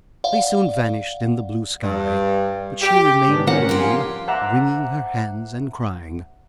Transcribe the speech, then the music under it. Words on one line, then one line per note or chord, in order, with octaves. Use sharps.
They soon vanished in the blue sky; but she remained alone, wringing her hands, and crying.
D5 F5 F#5
G2
G4
G#2 C#3 B3 D4
C4 C#4 A#4 F#5
F3 D4 G4 F5 G#5 C6
C5 E5 F#5 A5 A#5 D6